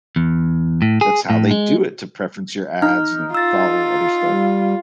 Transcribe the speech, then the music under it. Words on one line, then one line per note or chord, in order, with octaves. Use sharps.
that's how they do it, to preference your ads, and follow other stuff.
E2
A2
G#4
A2
G#3
D#4 F6
F4 E6 A6
G3